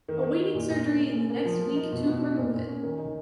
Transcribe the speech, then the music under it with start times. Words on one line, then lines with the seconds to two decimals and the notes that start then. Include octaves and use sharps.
Awaiting surgery in the next week to remove it.
0.08 D#3
0.23 D#3
0.39 D#4
0.55 A#2
0.70 A#2
0.85 C#4
0.99 C#3
1.16 C#3
1.30 A#3
1.45 F3
1.61 F3
1.76 D#4
1.92 B2
2.07 B2
2.23 D#4
2.37 A#2
2.53 A#2
2.68 C#4
2.83 D#3
2.98 D#4